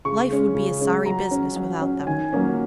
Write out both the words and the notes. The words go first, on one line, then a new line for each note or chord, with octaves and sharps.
Life would be a sorry business without them.
C#3 C#6
G#3 C#4
C#3
G#3 C#4
F#3 A#5
C#4
F#3
C#4
D#3 G#5
F#3 A#3 C#4